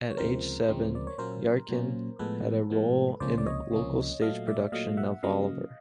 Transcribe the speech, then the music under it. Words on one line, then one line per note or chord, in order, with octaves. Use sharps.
At age seven Yarckin had a role in the local stage production of Oliver!
C#5
D2 C#3 F3 G#3 C4 A#4 C5
D2 C#3 F3 G#3 C4
D5
C#5
A#2 F#3 A#3 C#4 A#4 C5
A#2 F#3 A#3 C#4
A2 F3 G#3 B3 A4 B4
A2 F3 G#3 B3
C#2 C3 F3 A#3 C#4 C5 D5
D5
C#5 D#5
C#2 C3 F3 A#3 C#4
A#2 F#3 A3 D#5 F5
D5 E5
A#2 F#3 A3 D#5 F5
E5 F#5
C#3 F#3 A#3 D#5 F5